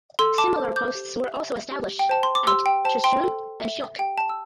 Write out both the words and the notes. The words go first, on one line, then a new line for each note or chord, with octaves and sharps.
Similar posts were also established at Chushul and Shyok.
A4 C6 E6
A5 D6
C5
D6 G6
G4
E5
G4
G5
C5 A5
C6
D6
G4 C6 E6
G5
C5 A5
G5 C6
A4
E5
G4 G5
A5
E6